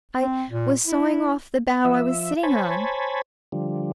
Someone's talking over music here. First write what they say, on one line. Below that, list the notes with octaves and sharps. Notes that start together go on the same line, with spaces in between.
I was sawing off the bough I was sitting on.
C4
A#2
E4
F3 E5
C5 C#5 G#5 A5 B5
D3 F3 G3